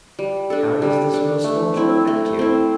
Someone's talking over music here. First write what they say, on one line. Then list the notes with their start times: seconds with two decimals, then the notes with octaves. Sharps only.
How does this misfortune affect you?
0.19 G3
0.50 D4 A4
0.82 G3
1.14 D4 A4
1.44 A3
1.76 C4 E4
2.07 A3
2.39 C4 E4